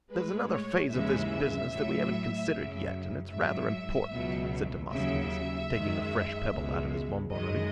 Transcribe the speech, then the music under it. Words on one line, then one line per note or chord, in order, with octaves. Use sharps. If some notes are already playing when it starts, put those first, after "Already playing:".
"There's another phase of this business that we haven't considered yet, and it's rather important," said Demosthenes, taking a fresh pebble out of his bonbonniere.
A2 G#3 B4
C#5
D#2 C#3 E3 G#3 E5
A2 F#3
F#2 C#3 F#3
G#2 E5
F#3
C#2 B2 F#3
D#2 C#3 F#3 E5
F#2 D#3 G#3
C#2 B2 G#3
F#2 D#3 G#3 D#5